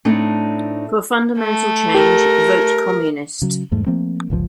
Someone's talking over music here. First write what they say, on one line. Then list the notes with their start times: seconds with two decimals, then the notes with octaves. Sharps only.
For fundamental change, Vote Communist.
0.05 A2 A3 C4 D4 D#4
1.39 A3
1.95 G4 A#4
3.42 C#3 F#3
3.71 E2 G#2 G3 A3
3.87 F3 A3 A#3 C4
4.30 G1 C#2 D3 F3